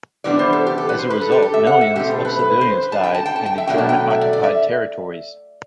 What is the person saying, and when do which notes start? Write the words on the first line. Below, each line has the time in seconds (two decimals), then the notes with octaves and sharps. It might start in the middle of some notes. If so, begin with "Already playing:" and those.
As a result, millions of civilians died in the German-occupied territories.
0.24 C3 E3 G3 B3 D4 D5
0.39 C5
0.53 A4
0.67 G4
0.78 A4
0.89 B4
0.99 C5
1.10 B4
1.21 A4
1.32 G4
1.42 A4
1.54 E5
1.67 F#5
1.81 E5
1.95 B2 A3 C4 G4
2.11 A4
2.25 B4
2.39 B4
2.61 C5
2.83 B4
2.92 A5
3.04 G5
3.15 A5
3.26 G5
3.36 A5
3.46 G5
3.58 E5
3.67 B2 F#3 A3 D4 G5
3.78 A5
3.89 G5
4.10 E5
4.21 D5
4.33 D5
4.43 E5